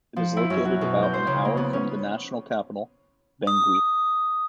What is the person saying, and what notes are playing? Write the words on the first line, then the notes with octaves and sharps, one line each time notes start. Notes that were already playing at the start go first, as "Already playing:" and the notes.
It is located about an hour from the national capital, Bangui.
F3
E4
F#2
F#4
B2
G6
C5
C#3
A#3
B3
C#4
D#6